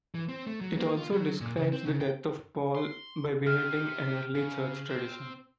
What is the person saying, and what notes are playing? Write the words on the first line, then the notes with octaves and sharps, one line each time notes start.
It also describes the death of Paul by beheading, an early church tradition.
E3
C4
A3
F#3
A#3
F4
F#3
A#2
C#3
C4
C#3
G5
C6
G4 E5 F6
C#3
C4